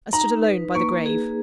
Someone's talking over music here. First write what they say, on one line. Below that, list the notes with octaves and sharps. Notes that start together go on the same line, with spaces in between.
I stood alone by the grave.
D#4 A#5
B4
A#3 C#6
G#4